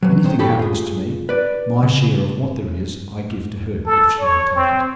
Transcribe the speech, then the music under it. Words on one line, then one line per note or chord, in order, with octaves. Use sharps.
If anything happens to me my share of what there is I give to her, if she will take it.
E3 F#3
D#3 C5
A2 F#4 G4 A4 B5
F4 G#4
B4 D5
C#3
A4
C#5
C4